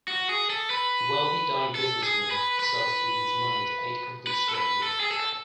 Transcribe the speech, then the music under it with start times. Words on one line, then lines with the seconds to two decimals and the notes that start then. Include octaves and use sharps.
A wealthy dying businessman decides to leave his money to eight complete strangers.
0.08 F#4
0.29 G#4
0.50 A4
0.70 B4
1.75 A4
2.03 G#4
2.31 B4
2.59 B4
4.27 B4
4.49 A4
4.55 B4
4.83 A4
5.00 G#4
5.11 A4